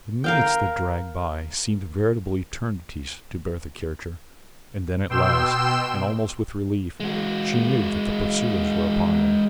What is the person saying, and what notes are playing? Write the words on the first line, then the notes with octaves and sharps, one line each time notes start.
The minutes that dragged by seemed veritable eternities to Bertha Kircher and then at last, and almost with relief, she knew that the pursuers were upon them.
A#4 F5 G5
B2 G5 C6 E6 E7
G#3 F#4